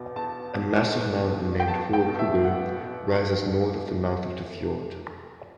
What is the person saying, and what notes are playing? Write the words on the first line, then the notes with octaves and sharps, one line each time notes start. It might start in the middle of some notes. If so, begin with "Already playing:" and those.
A massive mountain named Hohe Kugel rises north of the mouth of the fjord.
Already playing: E2 B2
E2 A5
B2
E2
B2
G5
E2 A5
G5
B2
E5
E2 F#5
B2